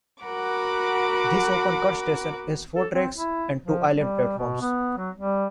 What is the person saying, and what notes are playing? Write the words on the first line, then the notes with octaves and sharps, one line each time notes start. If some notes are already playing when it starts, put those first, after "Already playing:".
This open cut station has four tracks and two island platforms.
F#4 A#4 F#5 B5 D6
A4
C4
E4
F3
G3
B2
B3
F#3
G3